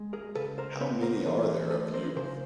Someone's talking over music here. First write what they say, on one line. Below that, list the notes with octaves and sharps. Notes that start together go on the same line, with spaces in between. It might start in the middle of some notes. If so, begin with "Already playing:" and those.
How many are there of you?
Already playing: G#3
G#4 A#4
C#3 A4 B4
A#4 C5
B3 B4 C#5
A#4 C5
E3 A4 B4
B4
G#4 A#4
C5
A3 A4 B4
A#4 C5
C#3 A#4 C5